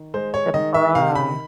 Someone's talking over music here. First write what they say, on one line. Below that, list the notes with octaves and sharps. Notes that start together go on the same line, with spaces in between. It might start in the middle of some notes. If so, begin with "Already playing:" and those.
The bra.
Already playing: D#3
G#3 C5
C#5
D#3 D#5
E5
C3 F5
B5